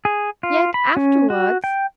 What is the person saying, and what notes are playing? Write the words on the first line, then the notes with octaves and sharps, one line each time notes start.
Yet afterwards--?
G#4
F4
B5
C#4
F#4
G5